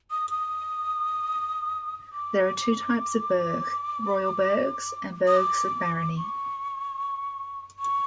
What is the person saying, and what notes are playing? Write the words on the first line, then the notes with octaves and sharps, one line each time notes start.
There are two types of burgh: royal burghs and burghs of barony.
D#6
D#6
D6
D#6
D6
C#6
C#6